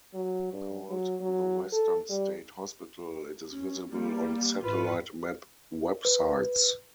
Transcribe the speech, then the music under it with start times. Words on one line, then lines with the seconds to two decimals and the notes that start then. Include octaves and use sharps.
Called the Western State Hospital, it is visible on satellite map websites.
0.14 F#3
0.53 G2
0.89 F#3
1.21 F#3
1.72 A4
2.10 G3
3.51 C#4
3.92 G3 A#3
4.64 G#1 E4 F4 B4
6.05 B4